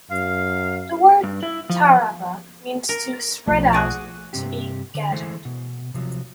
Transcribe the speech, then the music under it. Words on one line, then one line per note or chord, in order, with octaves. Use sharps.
The word "tarava" means "to be spread out, to be gathered".
F#2 F5
G2
E4
F3
A#4
B1 F3 A3
F#4 G#4 D5
G2 C3 C4 G4
D3
E3 G#3 A3 C5 G#5
B2
C3 F3 F#3